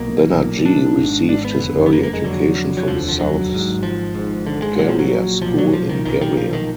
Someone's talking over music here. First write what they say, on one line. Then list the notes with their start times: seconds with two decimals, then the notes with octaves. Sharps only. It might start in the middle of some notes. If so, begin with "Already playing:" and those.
Bannerjee received his early education from South Garia School in Garia.
Already playing: B1 B2 A#3
0.33 B1 A#2
0.65 D4
0.97 G#1 G#2
1.29 D4
1.45 B3
1.60 F#1 F2 D3
1.86 B3
1.93 A#3
2.03 A#3
2.14 G#3
2.24 F1 F2 D3 F#3
2.77 F#3
2.87 F1 D#2 D3 F3
3.08 F3
3.20 F#3
3.51 G#1 G#2
3.83 F3
4.14 G#1 G#2
4.47 D3
4.62 G#3
4.78 A#1 A#2 F#3
4.89 F3
4.99 F#3
5.42 B1 A#2 F3
5.58 F#3
5.73 F3
5.89 D#3
6.05 B1 A#2 D#3
6.21 D#3
6.37 F3
6.53 D#3